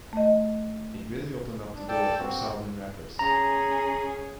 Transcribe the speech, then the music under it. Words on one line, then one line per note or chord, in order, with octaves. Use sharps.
It really opened up the door for Southern rappers.
A3 D#5
D4
A4 D5 G5 A5
A#3 C4 F#4
C#4 G#4 A#5